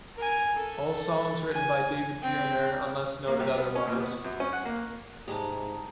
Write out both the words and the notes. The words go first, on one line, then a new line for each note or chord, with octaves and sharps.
All songs written by David Pirner unless noted otherwise.
A#4 G#5
A4
G#5
C4 G5
A#3
C2
B3
C#4
A#2
B3
F#2
C#4
F#5
A#3
C2 G#2 G#3 G4 A5 A#5 D#6